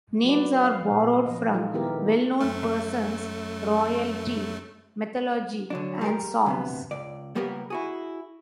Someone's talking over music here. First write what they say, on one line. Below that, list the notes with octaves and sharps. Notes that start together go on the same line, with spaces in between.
Names are borrowed from well-known persons, royalty, mythology, and songs.
F#3 F#4 B4 D5
F5
A#2
F3 D#5
G#3 D#4 F4 A4
D#3 B3 E4 G4 A#4
F#2 A3
D3 F#3 D4
G3 A#4
D2 C3 B3
C#2 D5
C#2 G3 A#3 B3 G4 A#4
E4 F#4 G#4